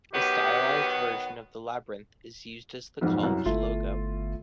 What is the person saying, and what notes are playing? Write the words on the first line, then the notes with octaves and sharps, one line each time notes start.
A stylised version of the labyrinth is used as the college logo.
D#3 F#3 B3 G4
B1 F2 G#2
C2 F#2
G1 A3 E4 F4